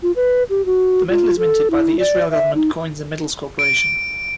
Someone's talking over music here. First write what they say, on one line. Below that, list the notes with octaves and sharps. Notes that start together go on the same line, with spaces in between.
The medal is minted by the Israel Government Coins and Medals Corporation.
F4
B4
G4
F#4
F4
A4
E4
D5
E5
D#4
D7